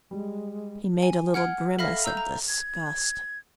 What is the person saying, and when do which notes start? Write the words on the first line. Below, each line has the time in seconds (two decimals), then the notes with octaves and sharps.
He made a little grimace of disgust.
0.11 G3 G#3
1.02 G#5
1.34 F#5 F6 G#6 D7
1.79 A4 E5 F5 B5 F6 A#6
2.04 A#5 E6 G6
2.17 A#5
2.48 G#6